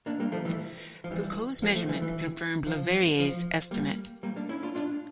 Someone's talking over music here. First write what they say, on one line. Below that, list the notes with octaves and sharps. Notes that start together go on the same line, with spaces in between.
Foucault's measurement confirmed le Verrier's estimate.
A#3 D4
G3 A#3
F3 A3
E3 G3
F3
E3 G3
F3 A3
F3 A3
E3 G3
E3
F3
F3
G3 A#3
G3 A#3
A#3 D4
C#4 E4
D4 F4
D4 F4